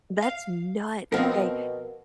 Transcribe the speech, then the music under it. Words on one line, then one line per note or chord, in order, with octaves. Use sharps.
That's nuts, okay,
F5
B2 F3 B3 C4 A#4 F5